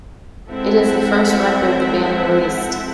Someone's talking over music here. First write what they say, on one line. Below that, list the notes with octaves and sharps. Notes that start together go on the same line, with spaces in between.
It is the first record the band released.
G#3 C4 E4 A4 E5 F#5